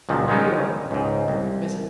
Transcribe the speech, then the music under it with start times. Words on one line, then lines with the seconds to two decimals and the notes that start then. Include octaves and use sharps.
New York-Mrs.
0.09 C#2 A#2 D#3 F3 F#3
0.28 D#3 G#3 B3 C#4 D#4
0.91 C#2 G#2
1.28 C2